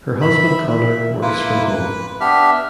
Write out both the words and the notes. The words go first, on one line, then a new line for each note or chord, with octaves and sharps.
Her husband Conor works from home.
E5 B5
E5
A#3 E4 F4 B4
B4
B3 D4 G4 E5 F6